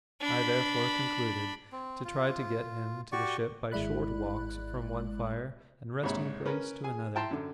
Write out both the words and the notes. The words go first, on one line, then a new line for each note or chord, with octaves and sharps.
I therefore concluded to try to get him to the ship by short walks from one fire and resting-place to another.
D4 B5
C4
F4
F#4 G4 D5 C#6
G#1 G#3 E4 D5 B5 F#6
A#1 G#2 C3 C#5 B5
C#4 A#4 B4
G#4 G#5
E4 G5 A5 A#5 C6
F#2 D3